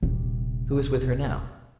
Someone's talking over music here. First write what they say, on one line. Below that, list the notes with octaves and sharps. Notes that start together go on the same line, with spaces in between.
"Who is with her now?"
D#1 C3